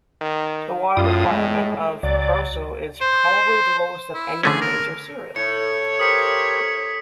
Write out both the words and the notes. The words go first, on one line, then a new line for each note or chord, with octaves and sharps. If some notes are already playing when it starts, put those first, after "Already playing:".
The water requirement of proso is probably the lowest of any major cereal.
D#3
F#2 A2 F4 D#6
G#3
C#2 F#3 D5
C5
E4
D3 A3 C#4 G#4
A#4
A2 C#5 C#7
G4 A#4 C5 D#6 B6 C#7